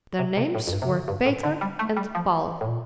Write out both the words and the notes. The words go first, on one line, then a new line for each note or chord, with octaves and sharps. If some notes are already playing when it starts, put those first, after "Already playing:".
Their names were Peter and Paul.
C3
C3
A2
F2
G2
C3
D3
G2
A2
D3
G3
A3
G3
F3
A2
A#2